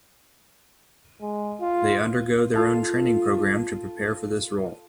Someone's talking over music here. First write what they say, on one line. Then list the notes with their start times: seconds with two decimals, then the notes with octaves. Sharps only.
They undergo their own training programme to prepare for this role.
1.21 G#3
1.60 F4
2.54 F4 A4 F5